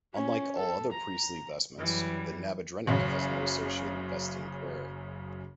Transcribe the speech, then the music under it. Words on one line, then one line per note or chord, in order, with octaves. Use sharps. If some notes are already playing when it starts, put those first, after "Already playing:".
Unlike all other priestly vestments, the nabedrennik has no associated vesting prayer.
C#4
A4
A#5
F#2 E3 G3
F#1 F#2 C#3